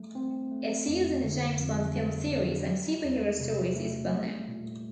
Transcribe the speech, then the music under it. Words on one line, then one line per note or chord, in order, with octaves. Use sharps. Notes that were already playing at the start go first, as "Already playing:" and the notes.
Its use in the James Bond film series and superhero stories is well known.
Already playing: G3 A3
C4
A3
F2
D3
F2
G3
D4
G3
E2
C3
A3
G3
A#2